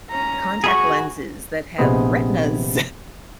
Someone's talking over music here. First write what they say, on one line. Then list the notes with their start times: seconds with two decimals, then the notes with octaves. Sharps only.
contact lenses that have retinas
0.11 C#4 A#5
0.64 F#4 G#4 B5 C#6
1.78 A#1 C3 B3 G#4 C5 D#5